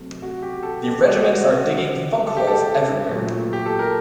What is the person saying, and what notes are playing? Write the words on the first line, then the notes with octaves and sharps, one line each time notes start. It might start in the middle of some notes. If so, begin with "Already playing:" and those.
The regiments are digging funk holes everywhere.
Already playing: C3 F#3 A3
F#4
G4
A4
G4
F#4
F#4
A4
G4
A4
A#2 F#3 A3
G4
A4
A#4